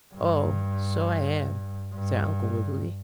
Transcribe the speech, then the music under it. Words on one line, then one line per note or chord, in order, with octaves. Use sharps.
"Oh, so I am," said Uncle Wiggily.
G2
G2